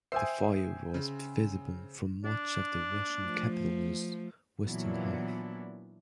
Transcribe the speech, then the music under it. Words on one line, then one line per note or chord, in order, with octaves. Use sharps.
The fire was visible from much of the Russian capital's western half.
C5 E5 G5 G#5 D#6 C7
C#3
D4
F3 A3
A#2 E3 F#3 B3 D4 E4